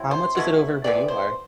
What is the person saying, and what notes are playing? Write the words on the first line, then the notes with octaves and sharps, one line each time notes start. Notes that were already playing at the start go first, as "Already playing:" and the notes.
How much is it over where you are?
Already playing: F#3 C4 E4
C5
B2 F#3 A3 E4
C3 E3 B3 D5
C5